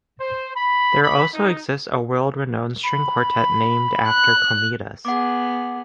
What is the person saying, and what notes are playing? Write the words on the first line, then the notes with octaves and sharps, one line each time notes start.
There also exists a world-renowned string quartet named after Komitas.
C5
B5
B5
D#4
B5
F#6
B3 G#4 F#5 D6